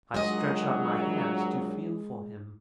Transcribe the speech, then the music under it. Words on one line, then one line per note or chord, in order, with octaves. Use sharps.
I stretched out my hands to feel for him.
A#1 D#2 F#3 G#3 G#4 D#5